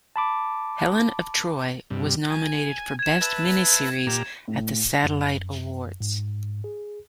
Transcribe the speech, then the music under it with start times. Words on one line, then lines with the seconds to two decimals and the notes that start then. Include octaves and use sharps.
"Helen of Troy" was nominated for best miniseries at the Satellite Awards.
0.16 A5 B5 D6
1.90 G2 C3
2.30 G#5
2.99 G#6 E7
3.21 B4 E5 A5
4.07 A#2 G4 A#5
4.48 A2
5.04 F#2
6.01 G#2
6.64 G#4